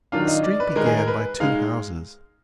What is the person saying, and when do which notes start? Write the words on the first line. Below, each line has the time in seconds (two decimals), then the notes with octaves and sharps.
The street began by two houses.
0.12 D#3 F#3 D4 F4 F5
0.28 D#5
0.43 D5
0.60 B4
0.76 D#3 G#3 D#4 A#4
0.86 G#4
0.97 A#4
1.08 B4
1.40 G#3 D#4 F5